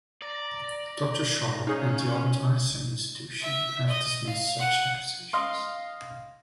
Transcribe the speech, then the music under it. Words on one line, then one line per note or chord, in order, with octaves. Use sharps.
Doctor Sharp and the Albert Einstein Institution have dismissed such accusations.
D5 A#5
C#4 D#4 G#4 C#5 F5
E5
D#5
F5
F#5
D#5 F5 C6